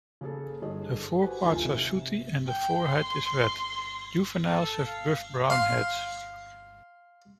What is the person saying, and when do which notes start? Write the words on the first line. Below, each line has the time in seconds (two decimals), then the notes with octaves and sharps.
The foreparts are sooty and the forehead is red; juveniles have buff-brown heads.
0.21 C#3 A#3 G#4 A4
0.62 G2 D3 G#4 C#5 D#5
0.99 A4
1.22 F#4 G4 B4 C5 F#5 G#5
1.43 D#1 D2 D#4 F4 G#5
1.65 C3
2.47 G5
2.84 C6
4.49 A4
4.87 F5
5.50 F5 C6